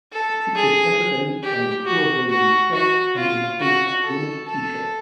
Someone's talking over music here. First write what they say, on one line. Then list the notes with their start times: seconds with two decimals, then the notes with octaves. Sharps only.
It features everything from the four-volume set and includes a bonus T-shirt.
0.13 A4
0.56 G#4
1.43 G4
1.86 F#4
2.30 F#4
2.73 F#4
3.16 F4
3.60 F#4
4.03 A4
4.46 A4